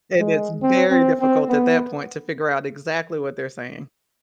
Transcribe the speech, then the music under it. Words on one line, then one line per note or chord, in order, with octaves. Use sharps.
And it's very difficult at that point to figure out exactly what they're saying.
G#3
C4
C4
C4
B3